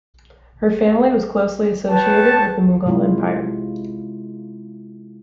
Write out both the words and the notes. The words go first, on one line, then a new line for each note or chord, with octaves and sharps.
Her family was closely associated with the Mughal empire.
B4 C#5 G5 A5
C3 G#3 E4 F4